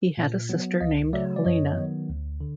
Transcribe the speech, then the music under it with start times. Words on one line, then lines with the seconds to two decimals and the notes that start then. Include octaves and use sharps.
He had a sister named Helena.
0.17 A#2
0.49 F#3 B3
0.81 C#2 D#5 F5
1.13 C#3 F#3 A3 D5 E5
1.36 D5
1.45 F#2 C#5 D#5
1.77 D#3 F#3 B3
2.09 D2
2.41 D3